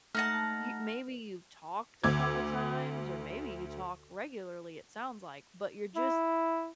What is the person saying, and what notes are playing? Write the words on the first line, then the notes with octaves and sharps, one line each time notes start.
y maybe you've talked a couple times- or maybe you talk regularly, it sounds like- but you're just
A3 D#4 F#5 A5 F6 A#6
D2 D6 E6 G#6
E4